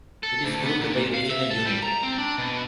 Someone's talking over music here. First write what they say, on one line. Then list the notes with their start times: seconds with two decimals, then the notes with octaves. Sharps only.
It is grouped by regional unit.
0.23 A4
0.43 D2
0.66 B3
0.80 A#2
1.14 F5
1.30 E5
1.51 A4
1.66 G3
1.83 A#5
2.03 C4
2.18 D4
2.38 B2